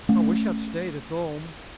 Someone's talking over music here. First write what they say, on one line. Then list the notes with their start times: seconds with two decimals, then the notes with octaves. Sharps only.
"I wish I had stayed at home!"
0.09 A3 C#4